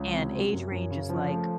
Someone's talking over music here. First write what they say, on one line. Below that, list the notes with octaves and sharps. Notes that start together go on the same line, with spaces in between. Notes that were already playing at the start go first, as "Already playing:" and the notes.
and age range is, like,
Already playing: C#2 C#5
C3
F#3
F#2
F#2
C#3
F3
A3